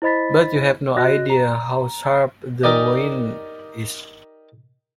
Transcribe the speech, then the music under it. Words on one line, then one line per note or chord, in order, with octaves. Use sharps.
But you have no idea how sharp the wind is.
E4 C5 D#5 B5 A6 B6
F#4 D#5 F#6 A#6
A#5
D#4 G4 A#4 D5 D#5